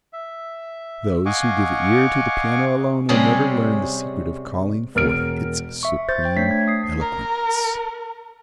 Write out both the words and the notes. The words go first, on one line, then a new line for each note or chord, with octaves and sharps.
Those who give ear to the piano alone will never learn the secret of calling forth its supreme eloquence.
E5
D#5 F5 F#5 G#5 C#6 D6
C3 G3 G#3 C#4 G#4 A4
E1 A#4 F6 D7
E5 C#6
C5 G6 A6
G5
A3 D4 C#5 B6 C7
G#6
D#6 C7
A#4